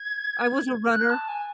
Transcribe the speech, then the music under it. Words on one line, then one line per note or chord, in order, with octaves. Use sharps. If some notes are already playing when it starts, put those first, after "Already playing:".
I was a runner.
Already playing: G#6
F#6
A5
G#5